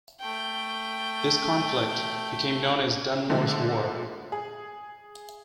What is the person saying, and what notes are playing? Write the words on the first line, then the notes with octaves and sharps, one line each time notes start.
This conflict became known as Dunmore's War.
A3 G5
A#2 D3 F3 G#3 A3
G#4